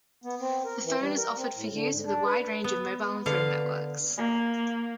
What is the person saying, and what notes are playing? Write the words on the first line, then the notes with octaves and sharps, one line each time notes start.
The phone is offered for use with a wide range of mobile phone networks.
B3
C4
A#4
E3
G3
A#4
C4
A2
D3
G#2
D4
B4
B3
D3 B4 F5
A#3